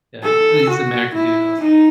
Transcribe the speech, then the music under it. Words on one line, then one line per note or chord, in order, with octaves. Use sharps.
Yeah, he's a he's American dude, also.
A4
F#4
E4
D#4